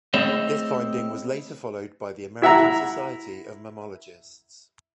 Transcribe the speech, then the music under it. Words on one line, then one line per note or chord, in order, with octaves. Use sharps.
This finding was later followed by the American Society of Mammalogists.
A3 C4 E4 G#4 C#5 D#5
E4 E5 F#5 A#5